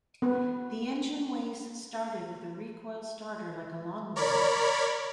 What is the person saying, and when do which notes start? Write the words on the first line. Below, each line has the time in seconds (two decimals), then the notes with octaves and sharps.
The engine wase started with a recoil starter like a lawn mower.
0.22 B3 B4
4.16 A#4 C#5 D5 B5